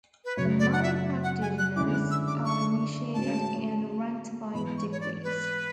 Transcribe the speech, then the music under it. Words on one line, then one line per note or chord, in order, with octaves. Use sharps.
The Mide practitioners are initiated and ranked by degrees.
B4
F#2 C#3 F#3 C#4 C#5
D5
F#5
E5
F#5
G#5
F#6
D3 G#3 C#4 E4 D6
F#6
E6
D6
C#6
A2 G#3 C#4 F#4 A5
G#2 E3 B3 B5
C#6
C#5
D5
B4